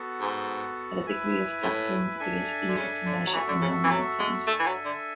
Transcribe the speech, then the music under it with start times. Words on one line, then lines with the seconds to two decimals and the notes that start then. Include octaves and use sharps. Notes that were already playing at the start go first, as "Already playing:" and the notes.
The degree of capital intensity is easy to measure in nominal terms.
Already playing: B3 F#4 A4
0.21 G#2
1.07 E4 B4 E5 G#5
1.63 A2
2.20 D4 A4 E5 G#5
2.68 D3
2.77 C#3
3.06 D3
3.27 F#3
3.33 E3 F#4 A4 E5
3.48 D3
3.62 C#3
3.84 E3
3.90 F#3
4.19 G#3
4.47 A3 D4 A4 E5 G#5
4.59 E3
4.66 F#3
4.85 D3